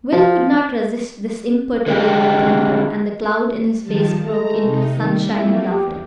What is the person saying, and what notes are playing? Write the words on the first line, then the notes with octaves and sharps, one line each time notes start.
Will could not resist this imperturbable temper, and the cloud in his face broke into sunshiny laughter.
F3
D3 G#3 G4
D#3 F3 G3 A5
G#3 A3 A#5
C3 D#4
D#3 G3
F3 A3 A#3 C4 E4
E2 G4